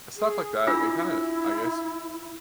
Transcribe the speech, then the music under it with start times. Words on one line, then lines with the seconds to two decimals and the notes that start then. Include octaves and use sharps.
stuff like that, it kinda, I guess,
0.17 G#4
0.67 D4 E4 F4 E6